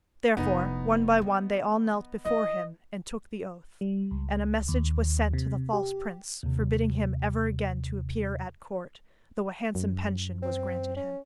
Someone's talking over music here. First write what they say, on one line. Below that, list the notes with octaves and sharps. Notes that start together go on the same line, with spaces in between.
Therefore one by one they all knelt before him and took the oath, and a message was sent to the false prince, forbidding him ever again to appear at court, though a handsome pension was granted him.
F1 E3 B3 D#4
E3
E3 D#5
G3
C#2
D#2
C3
G4
D#2 C3
F#2
C4
C#4